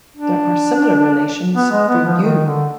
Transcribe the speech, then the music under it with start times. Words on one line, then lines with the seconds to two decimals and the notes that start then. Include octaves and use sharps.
There are similar relations for "U".
0.17 D4
1.54 B3
1.71 G#3
1.88 B3
2.05 F3
2.22 D#3
2.46 D3